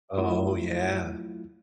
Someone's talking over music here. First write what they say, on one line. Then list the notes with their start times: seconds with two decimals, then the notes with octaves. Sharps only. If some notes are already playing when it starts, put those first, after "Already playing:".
Oh, yeah.
0.17 F#3 A3 E4 F4